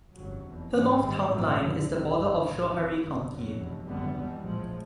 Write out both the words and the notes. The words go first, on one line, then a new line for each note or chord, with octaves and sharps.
The north town line is the border of Schoharie County.
G1 F2 C#3 F#3
F1 E2 B2
G#2 E3 G#3 C#4
G#1 G#2 D#3 G3 C4
A#1 G#2 E3 A3 C4
F#2 D3 F3 G#3
C#2 C3 D#3
G1 F#2 D3 F#3
C2 A#2 F#3
F#1 F2 C3
G1 F2 D3
F2 C#3 F#3
F1 E2 B2
G#1 F#2 D3 G3 B3
E2 B2 G3
A#1 A2 F3 G#3